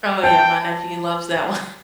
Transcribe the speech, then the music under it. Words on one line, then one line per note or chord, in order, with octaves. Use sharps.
Oh, yeah, my nephew loves that one
G5 A5